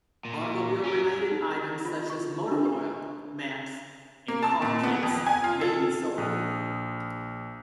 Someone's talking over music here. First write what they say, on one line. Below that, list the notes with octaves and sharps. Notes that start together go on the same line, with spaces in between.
Automobile-related items such as motor oil, maps and car kits may be sold.
A#2
C#4 A#4
D#4
F4
C#6
D4
G4
A#3
A5
A#2
B3
F2
G#5
F4
A4
A#1 D#6 F6